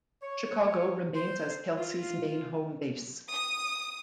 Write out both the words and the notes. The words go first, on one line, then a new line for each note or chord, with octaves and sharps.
Chicago remains as Kelsey’s main home base.
C#5
C5
F4
D#6